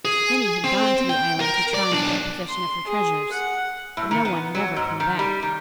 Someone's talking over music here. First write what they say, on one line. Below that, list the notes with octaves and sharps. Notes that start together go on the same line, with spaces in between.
Many had gone to the island to try and get possession of her treasures, but no one had ever come back.
G#4
C4
G5
A#4
D5
B1 D4
C6
G#4
F#5
A2
D#3
B3
F#3
G#2
D#3
G3
D#3